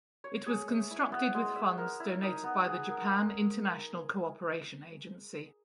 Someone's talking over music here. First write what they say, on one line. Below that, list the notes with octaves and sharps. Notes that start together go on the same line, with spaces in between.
It was constructed with funds donated by the Japan International Cooperation Agency.
C#5
G#4
E5
E4
B3
G#3
E5
A#4
E4
D#4
B3
G#4
A#4